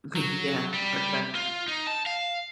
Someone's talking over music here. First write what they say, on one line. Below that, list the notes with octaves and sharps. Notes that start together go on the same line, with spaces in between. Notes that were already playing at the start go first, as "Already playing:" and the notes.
Okay, yeah, for sure.
F#3
G3
F4
D#4
A5
F5